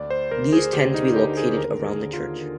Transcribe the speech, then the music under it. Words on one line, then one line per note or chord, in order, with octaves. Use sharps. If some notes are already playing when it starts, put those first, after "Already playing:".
These tend to be located around the church.
Already playing: D2 D5
C5
D2 A#4
G#4
D2 G4
D#4
D3 G4
G#4
D#2 A#4
G#4
D3
F4
D3